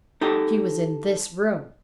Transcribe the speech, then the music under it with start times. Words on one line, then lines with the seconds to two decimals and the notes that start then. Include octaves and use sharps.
She was in this room.
0.21 D#4 G4 A4 D#5